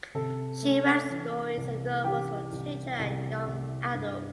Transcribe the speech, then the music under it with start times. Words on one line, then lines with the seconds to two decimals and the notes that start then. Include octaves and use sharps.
She writes stories and novels for children and young adults.
0.15 C3 A4
0.62 A3
1.10 E3
1.57 C2
2.04 E3 G4 G5
2.52 C2
2.99 C2
3.47 C2
3.94 G2